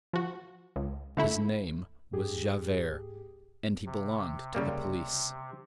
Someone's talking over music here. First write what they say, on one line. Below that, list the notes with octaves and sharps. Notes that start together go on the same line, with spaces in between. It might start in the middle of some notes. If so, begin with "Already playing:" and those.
His name was Javert, and he belonged to the police.
F3 F#4
C#2
D3 A3 E4
G#2 G4 G#4
C3
C#3 G3 A#3